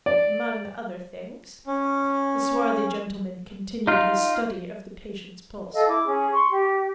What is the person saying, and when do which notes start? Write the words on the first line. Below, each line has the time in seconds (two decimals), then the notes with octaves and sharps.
"Among other things." The swarthy gentleman continued his study of the patient's pulse.
0.06 D5
1.67 C#4
3.87 D#4 F4
5.73 A4 D#5 F5
5.87 E4 D6
6.05 C#4 G#4
6.32 C6 C#6
6.50 G4